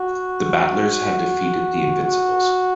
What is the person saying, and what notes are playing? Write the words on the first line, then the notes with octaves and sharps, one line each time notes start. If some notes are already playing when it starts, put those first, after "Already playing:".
The 'battlers' had defeated the 'invincibles'.
Already playing: F#4
F#4